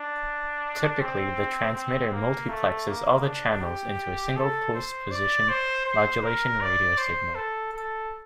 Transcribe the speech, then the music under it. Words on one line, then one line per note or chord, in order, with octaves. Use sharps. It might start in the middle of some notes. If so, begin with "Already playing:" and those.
Typically the transmitter multiplexes all the channels into a single pulse-position modulation radio signal.
Already playing: D4
C4
C4
A#3
A3
A#3
D4
G4
A4
C5
D5
C5
C5
A#4
D5
C5
A4
A4